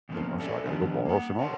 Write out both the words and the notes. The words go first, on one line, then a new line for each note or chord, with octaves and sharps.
you know? So, I got to go borrow some more
E2 G#2 C3 F3 A#3 C#4
A4 D5 E5 F5 G#5
D#3 F3 G3 B3 D4
A#3 F#5
C#5 F#5 A5 C6